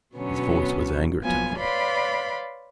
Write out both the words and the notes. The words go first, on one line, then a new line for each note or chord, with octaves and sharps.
His voice was anger-toned.
B2 D3 F#3 B3 C#4
F3 F#3 B3 F4 G#5
B4 C#5 D5 F5 B5 C6